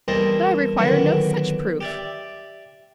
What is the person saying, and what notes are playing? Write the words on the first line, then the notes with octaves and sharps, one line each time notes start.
But I require no such proof.
E2 G3 A#3 A4 C5 D#5
A#2 D3 D#3 F#3 B3
G4 D5 E5